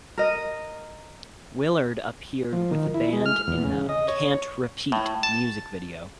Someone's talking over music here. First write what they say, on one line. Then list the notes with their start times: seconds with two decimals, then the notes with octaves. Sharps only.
Willard appeared with the band in the "Can't Repeat" music video.
0.18 A#4 D#5
2.53 F3
2.71 D#3
2.94 E4
3.13 G#3
3.26 F6
3.48 E2
3.64 C#3
3.89 D#5
4.08 C#5
4.92 A2
5.23 A5